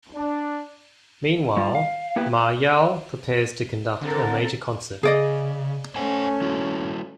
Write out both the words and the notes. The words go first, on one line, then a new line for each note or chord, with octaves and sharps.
Meanwhile, Ma Yau prepares to conduct a major concert.
D4
G3 F4
F5
A#3 B3 E4 G4 B4
D3 C4 A4 A#4
C#3 G#4 D5 D#5
A3 C#4 C5 F#5 G#5
G3 E4 F#4